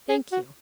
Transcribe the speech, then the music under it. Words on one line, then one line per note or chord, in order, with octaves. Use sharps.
"Thank you."
G#4
F#4